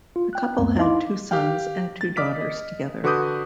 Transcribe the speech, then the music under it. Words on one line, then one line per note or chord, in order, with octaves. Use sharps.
The couple had two sons and two daughters together.
F4
G5 F#6
C#2 F#2 A3 B3 C4
D#4 E4 D#5 F5 C6 D6
G4 F5 G5
A6
D5 D#5 D6 F6 B6
D#5
D3 F#4 B4 D6 D#6 G6